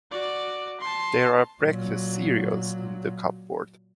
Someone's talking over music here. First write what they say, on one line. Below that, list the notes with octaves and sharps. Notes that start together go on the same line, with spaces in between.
There are breakfast cereals in the cupboard.
F#4 D5
A5 C6
A#2 F#3